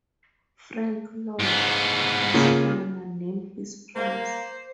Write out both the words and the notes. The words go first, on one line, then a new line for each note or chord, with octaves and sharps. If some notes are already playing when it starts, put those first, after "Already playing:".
Frank Lloyd, as owner, named his price.
G#2 B3
C#3 A#3 F4
A#3 C5